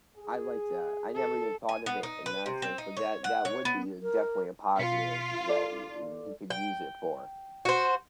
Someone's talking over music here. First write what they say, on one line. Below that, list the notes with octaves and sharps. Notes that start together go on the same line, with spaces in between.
I like that, I never even thought of it in that sense, but that that would be a definitely a positive that eh, eh, you could use it for.
G#4
A4
G#5
B3
D#4
B4
C3
C4
D#4
C#5
F#5
C#5
B3
A#4
B2 F4 B6 C#7
A4 D5
G5
F#4 C5